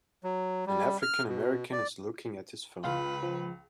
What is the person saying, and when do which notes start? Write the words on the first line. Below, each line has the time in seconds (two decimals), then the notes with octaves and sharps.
An African american is looking at his phone.
0.24 F#3
0.66 G3
1.02 F6
1.28 B2
1.72 D5
2.84 C#2 F4 B4 F5
3.23 F3